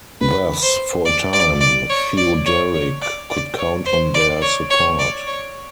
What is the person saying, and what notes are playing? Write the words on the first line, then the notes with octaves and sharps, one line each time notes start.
Thus, for a time, Theoderic could count on their support.
B4
C5
D5
D5
D5
C#5
D5
C#5
C#5
D5
D5
C#5
C5
D5
C#5
C#5
D5
C#5